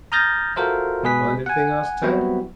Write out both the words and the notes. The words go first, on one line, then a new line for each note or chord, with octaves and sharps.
"Find anything?" asked Tad.
A#5 D#6 F6 G6 A6 A#6
F4 F#4 A4 A#4 C5 E5
B2 G#3 G#4 B4 B6
F#5 G#5
F#3 G3 B3 C4 E4 F#4